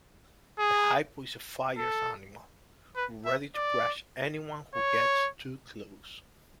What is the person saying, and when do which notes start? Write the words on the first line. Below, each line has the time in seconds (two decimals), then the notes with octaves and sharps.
The Hippo is a fierce animal; ready to crush anyone who gets too close.
0.59 G#4
1.78 A4
2.96 B4
3.26 E5
3.55 D5
4.75 C#5